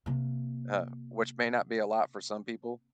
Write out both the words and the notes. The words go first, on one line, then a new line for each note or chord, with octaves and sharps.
uh, which may not be a lot for some people.
C3 A#3